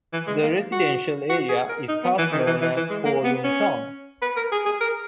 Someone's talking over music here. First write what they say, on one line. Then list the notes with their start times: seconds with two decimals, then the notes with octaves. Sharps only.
The residential area is thus known as Kowloon Tong.
0.13 E3
0.27 G#3
0.43 A#3
0.72 F#4
1.29 F#4
1.49 G#4
1.69 A#4
1.88 D#4
2.03 B3
2.18 E3
2.32 D#3
2.47 E3
2.61 E3
2.76 E3
2.90 G#3
3.05 A#3
3.24 B3
3.44 C#4
4.22 B4
4.36 A#4
4.52 G#4
4.65 G#4
4.80 A#4